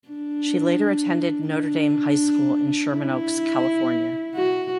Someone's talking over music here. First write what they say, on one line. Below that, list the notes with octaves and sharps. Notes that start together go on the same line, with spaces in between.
She later attended Notre Dame High School in Sherman Oaks, California.
D4
D4
E4
F#4